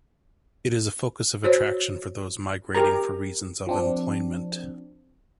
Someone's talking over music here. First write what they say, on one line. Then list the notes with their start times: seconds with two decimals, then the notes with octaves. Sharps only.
It is a focus of attraction for those migrating for reasons of employment.
1.44 F#4 C5 C#5
2.75 G4 A#4 A#5
3.67 F3 C4 D4